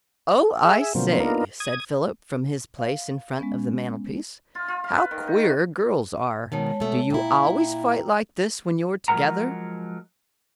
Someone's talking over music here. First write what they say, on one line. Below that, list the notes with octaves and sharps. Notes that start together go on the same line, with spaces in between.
"Oh, I say," said Philip, from his place in front of the mantelpiece, "how queer girls are; do you always fight like this when you're together?"
G#4 E5
B2 D3 F3 F#3 A#3 C4
A#3 B3 D4 D#4 F4 A#4
D#6 G#6
F5
G#3 B3 C#4
F4
F4
F5
B4
D#3
D#4
F#4
G#2 B2 D#3 G#3 C#5 A5
B2 A3
A#2 E4 G5 A#5
F3 F#3 G#3 A#4 F#5 A#5